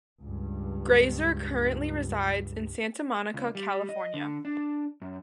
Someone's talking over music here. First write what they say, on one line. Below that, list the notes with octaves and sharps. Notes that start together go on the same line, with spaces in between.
Grazer currently resides in Santa Monica, California.
C#2 G2
C#2
G3
D#5
D3
D4
F#2